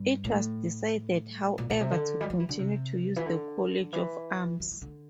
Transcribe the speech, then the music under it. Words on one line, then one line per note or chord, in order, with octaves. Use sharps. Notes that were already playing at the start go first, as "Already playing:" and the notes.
It was decided however to continue to use the College of Arms.
Already playing: G2
A2
A#2
A#2
C3
D3
G3
F3
E3
D3
C3
E3
D3
E3
E3
E3
D3